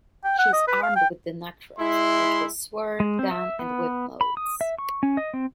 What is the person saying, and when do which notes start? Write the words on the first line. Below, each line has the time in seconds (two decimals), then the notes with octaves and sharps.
She is armed with the Necrod, which has sword, gun, and whip modes.
0.24 G5
0.38 F#5
0.53 D#5
0.67 B4
0.83 F5
0.96 G5
1.79 G#3 E4 C6
3.00 G#3
3.19 C4
3.31 E5
3.59 B3
4.21 B5
4.37 D#6
4.61 E5
4.78 C#6
5.03 C#4
5.17 D#5
5.34 C4